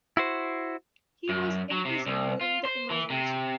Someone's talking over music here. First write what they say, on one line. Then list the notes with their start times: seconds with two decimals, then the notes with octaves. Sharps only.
He was imprisoned during the emergency.
0.17 E4 F#4 C5
1.29 F#2
1.71 F#3
1.85 C3
2.07 C2
2.41 F4
2.65 C5
2.90 E3
3.10 C3